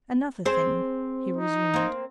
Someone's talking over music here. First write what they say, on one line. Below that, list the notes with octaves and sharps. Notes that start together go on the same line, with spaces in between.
"Another thing," he resumed.
C4 G#4 C5
D#4
A#3 C4